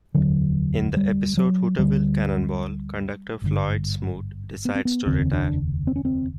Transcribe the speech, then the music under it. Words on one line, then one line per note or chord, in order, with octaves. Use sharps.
In the episode, "Hooterville Cannonball" conductor Floyd Smoot decides to retire.
F1 D#2 D3 F#3
G3
F#3
D2 D3 G3
G#1 G2 D3
B3
C4
B3
F1 D#2 C#3 C4
D4
C4
C#4
C4